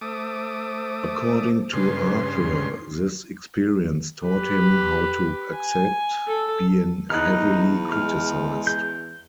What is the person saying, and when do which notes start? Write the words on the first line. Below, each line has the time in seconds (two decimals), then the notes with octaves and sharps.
According to Arthur, this experience taught him how to accept being heavily criticized.
0.01 A3 C5 D6 D#6
1.73 G2 C#3 B4 C6
4.26 G4 B4
5.57 G#5
6.28 A4
7.10 E2 D#4 F6 F#6
7.92 G#3 F6
8.67 G6